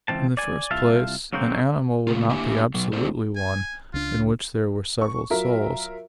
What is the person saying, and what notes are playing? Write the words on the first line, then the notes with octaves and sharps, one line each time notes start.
In the first place, an animal would not be absolutely one, in which there were several souls.
C#2 E3 C4 A5
D5 G#5
C2 F4 E5 F5 A5
B1 C#3 F#3 A#3 C4
C#3 A3 F4
A#3 D4 E4 G4 G#5
B2 F#3
A3 C4 D4 G#4 A4 C5
G#5
C#2 D4 F4
C#6
F#3 F4 A#4 E5